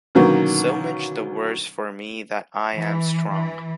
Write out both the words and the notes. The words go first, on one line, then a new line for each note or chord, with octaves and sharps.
So much the worse for me that I am strong.
B2 D3 D#3 F#3 A#3 C#4
E3
E3